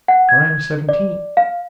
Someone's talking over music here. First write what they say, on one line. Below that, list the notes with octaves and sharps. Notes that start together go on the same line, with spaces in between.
When I am seventeen.
F#5
G#6
D5
F5